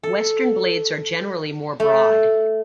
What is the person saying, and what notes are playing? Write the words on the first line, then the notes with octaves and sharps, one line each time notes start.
Western blades are generally more broad.
A4
A3